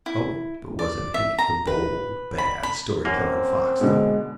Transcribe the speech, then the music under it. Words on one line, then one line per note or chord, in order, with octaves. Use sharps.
Oh, but wasn't he the bold, bad story-telling fox, though?
E4
D5
E5
A#5
B4
B5
B5
F#2 A#3 C4
B2 D3 G#3